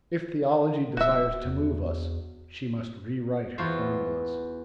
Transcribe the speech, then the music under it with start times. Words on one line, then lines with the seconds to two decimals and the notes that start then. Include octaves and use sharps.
If Theology desires to move us, she must re-write her formulas.
0.97 D1 F#4 E5
1.45 E2
3.58 E2 B3 F4 F#4 C5 E5